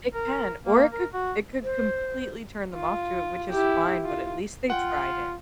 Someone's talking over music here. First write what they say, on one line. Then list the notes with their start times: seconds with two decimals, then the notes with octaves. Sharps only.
It can, or it could it could completely turn them off to it, which is fine, but at least they tried it
0.14 A#4
0.67 A#3
0.93 A#4
1.14 F#4
1.64 C5
2.73 F4
3.50 E4 G4
4.05 F4
4.70 F4 F#5 G5